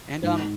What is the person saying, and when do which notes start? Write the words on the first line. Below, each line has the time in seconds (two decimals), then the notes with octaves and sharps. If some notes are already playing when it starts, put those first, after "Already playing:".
and, um,
0.23 G#2